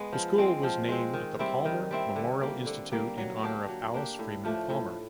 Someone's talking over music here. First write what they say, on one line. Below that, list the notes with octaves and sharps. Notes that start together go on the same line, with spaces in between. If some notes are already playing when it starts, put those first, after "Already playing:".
The school was named the Palmer Memorial Institute in honor of Alice Freeman Palmer.
Already playing: G#3 B3
F3
G#3 C4
F3
G#3 C4
D#3
G3 C4 E4
D#3
G3 C4 E4
D3
G3 A#3
D3
G3 A#3
F#3
A#3 D4 G4
F#3
A#3 D4 G4
A2
F3 A3 D4
A2